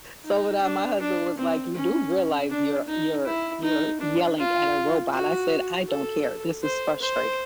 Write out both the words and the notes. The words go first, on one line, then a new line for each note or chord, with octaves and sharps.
so would I. My husband was like, "You do realize you're you're you're yelling at a robot." I said, "I don't care. This is frustrating."
D#4
D4
D4
C4
C#4
D4
D#4
E4
D#4
D4
F4
F#4
A4
C5
C5